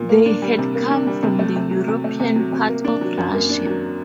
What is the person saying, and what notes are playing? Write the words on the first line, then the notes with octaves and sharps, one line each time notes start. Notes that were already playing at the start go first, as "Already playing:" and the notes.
They had come from the European part of Russia.
Already playing: A#2
A#3
D4
G3
C3
A#3
D4
G3
C3
A3
C3
F#3
C3
A3
C3
F#3
C3
A#3
D4
F#3
F#2
A#3
D4
F#3